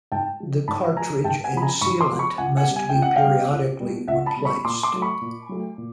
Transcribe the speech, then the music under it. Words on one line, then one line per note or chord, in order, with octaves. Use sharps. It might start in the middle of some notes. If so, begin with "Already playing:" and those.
The cartridge and sealant must be periodically replaced.
G#2 G5 A5
F3 G#3
G#2 A5 B5
F3 G#3 G#5 A#5
G#2 G5 A5
F#5 G#5
F3 G#3 B5
G#5 A#5
G#2 B5 C#6
C6 D6
F3 G#3
B5 C#6
C#2 F#5 G#5
F#5 G#5
B2 G3
G#5
C#2 G5
F#5
F5 G5
B2 G3
C#2
B2 G3
C#2 E5 F#5
A5 B5
B2 G3
B5 C#6
A#2 C6 D6
C6 D6
F#3 A3
B5 C#6
A#2
F#3 A3
A#2